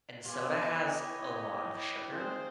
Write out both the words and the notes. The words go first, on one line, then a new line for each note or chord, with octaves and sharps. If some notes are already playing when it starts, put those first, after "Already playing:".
and soda has a lot of sugar.
G2 B3 F4 G4 G#5
E4 G4 C#5 D#5
D#3 C4 F4 G#4 C5 G5